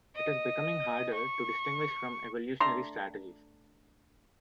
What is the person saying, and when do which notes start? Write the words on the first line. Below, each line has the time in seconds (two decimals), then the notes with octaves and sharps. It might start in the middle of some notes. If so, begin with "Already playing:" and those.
It is becoming harder to distinguish from evolutionary strategies.
0.16 D#5
1.14 C#6
2.60 A3 D4 A#5 C6